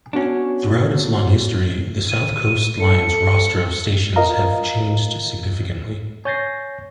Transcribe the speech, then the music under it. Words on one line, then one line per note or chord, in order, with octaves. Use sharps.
Throughout its long history, the South Coast Line's roster of stations have changed significantly.
B3 C#4 D4 F#4 C#5
D#7
A4 C#7
F4 A#4 D#5 F5 A#5
C#5 G#5 G6 A6 A#6 C7